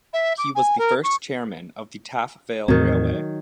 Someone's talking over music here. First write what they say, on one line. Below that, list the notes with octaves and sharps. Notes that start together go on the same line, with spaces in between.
He was the first chairman of the Taff Vale Railway.
E5
D6
G#5
A#4
C#6
E2 A2 D#3 F#3 C4